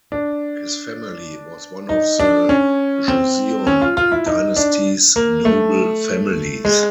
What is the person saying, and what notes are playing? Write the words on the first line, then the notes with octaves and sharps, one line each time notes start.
His family was one of the Joseon Dynasty's noble families.
D4
D#4
D4
C#4
C4
C#4
F4
F4
E4
D#4
D4
A#3
A3
G#3